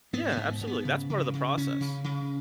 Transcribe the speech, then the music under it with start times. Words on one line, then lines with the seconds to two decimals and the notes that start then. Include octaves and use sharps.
Yeah, absolutely, that's part of the process.
0.13 G#2 B3
0.32 B3
0.37 G#2
0.61 G#2
0.67 B3
0.85 C#3
1.10 C#3
1.34 C#3
1.57 C#3 C#4
1.81 C#3
2.04 C#3